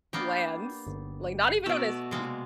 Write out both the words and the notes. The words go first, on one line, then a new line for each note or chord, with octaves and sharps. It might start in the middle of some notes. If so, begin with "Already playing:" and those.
lands, like, not even on his feet,
A#3 B3 D4 G4 G5
G1
B2 A3 D5 E6
C3 G#3 A#3